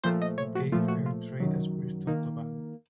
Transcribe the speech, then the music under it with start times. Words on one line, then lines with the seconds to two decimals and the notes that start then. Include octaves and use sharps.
It gave her trade as Bristol–Tobago.
0.04 A#2 F3 A3 C5
0.22 D#5
0.38 C#5
0.55 F#4
0.72 A#2 F3 A3 F4
0.88 F#4
1.06 F4
1.40 F#2 D#3 F#3
2.07 D#3 A#3 D#4